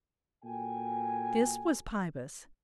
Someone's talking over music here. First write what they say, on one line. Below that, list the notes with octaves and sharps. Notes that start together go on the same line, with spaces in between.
This was Pybus!
A#2 F#4 A4 G5 G#5